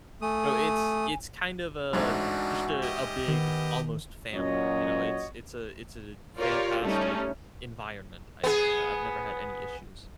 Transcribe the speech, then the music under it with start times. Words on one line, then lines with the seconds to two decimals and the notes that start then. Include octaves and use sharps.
No, it's it's kind of a just a a big almost family, you know, it's it's a it's a fantastic environment, I think, I I've never had any issues.
0.22 A3 G#5 D#6
1.93 A1 G#2 D4 D#4 F#4
2.82 G4 D#5
3.28 D#3 B3
4.33 A#2 F#3 C#4 F#4 C#5 D#5
6.37 F4 G4 A#4 C#5 D5
6.82 G3 A3 C#4 D#4
8.44 B3 G#4